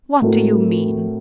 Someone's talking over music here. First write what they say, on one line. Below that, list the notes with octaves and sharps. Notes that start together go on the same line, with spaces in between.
"What do you mean?"
A2 A3 C4 F#4 A#4